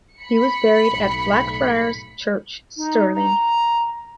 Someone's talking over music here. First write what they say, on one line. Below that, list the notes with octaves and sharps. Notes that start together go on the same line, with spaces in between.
He was buried at Blackfriars' Church, Stirling.
B5 C#7
B1 A2
D#4
A#5